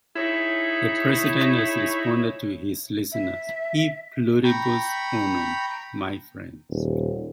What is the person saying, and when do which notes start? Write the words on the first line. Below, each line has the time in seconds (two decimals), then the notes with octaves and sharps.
The President responded to his listeners, "E pluribus unum", my friends.
0.16 D#4 E4 G#4 C#5
3.12 E5
4.44 G5 A#5 B5 C#6
6.70 D#1